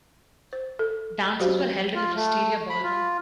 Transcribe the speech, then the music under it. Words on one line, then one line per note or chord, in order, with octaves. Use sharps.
Dances were held in the Wisteria Ballroom.
C5
A4
F#3 F#4 G4 C5 F5
F4
A3
B5
F4